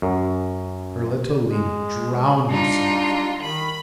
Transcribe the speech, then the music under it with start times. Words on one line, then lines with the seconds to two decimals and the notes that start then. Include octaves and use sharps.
Her little Lena drown herself!
0.02 F#2
1.47 G#3
2.49 G3 D4 D#4 F4
3.42 D#3 B5